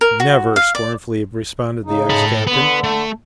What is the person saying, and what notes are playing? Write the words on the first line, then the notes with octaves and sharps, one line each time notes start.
"Never!" scornfully responded the ex-captain.
A#4
F#4
F5
D5
C#3 D#4
A4 B5
D3 B3
A3